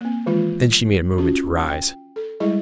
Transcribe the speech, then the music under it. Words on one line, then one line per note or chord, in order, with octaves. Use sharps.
Then she made a movement to rise.
A#3 C4
D#3 E3 G#3 F4
C#4 F4 F#4
G5
A4
G3 G#3 E4 G#4 D#5